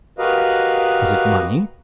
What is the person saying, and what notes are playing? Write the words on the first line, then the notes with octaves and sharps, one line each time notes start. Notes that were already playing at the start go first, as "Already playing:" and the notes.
Was it money?
F#4 G4 A#4 B4 D#5 F5